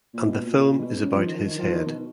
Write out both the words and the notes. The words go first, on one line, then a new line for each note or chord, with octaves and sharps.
And the film is about his head.
A#2
B2
A#2
B2
C#3
F3
D#3
F3
D#3
F3
D#3
B2